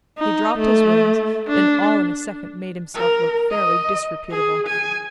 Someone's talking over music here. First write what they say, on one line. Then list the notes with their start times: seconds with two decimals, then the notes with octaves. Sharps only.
He dropped his wings and all in a second made himself look fairly disreputable.
0.18 D#4
0.59 A3
1.48 D4
2.94 A#4
3.51 D#5
4.30 G#4
4.67 G#5